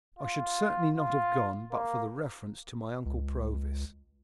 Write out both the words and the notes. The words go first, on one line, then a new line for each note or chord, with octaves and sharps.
I should certainly not have gone, but for the reference to my Uncle Provis.
F4
F4
A#3
C#2